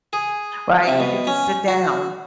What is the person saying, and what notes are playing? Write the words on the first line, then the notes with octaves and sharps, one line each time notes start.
right? You could just sit down.
G#4
C3
B2
C#4
F#4